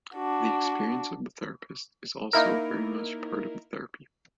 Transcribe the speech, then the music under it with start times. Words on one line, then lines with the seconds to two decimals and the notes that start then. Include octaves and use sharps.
The experience of the therapist is also very much part of the therapy.
0.15 D4 F#4
2.33 A#3 D#4 E4 A#4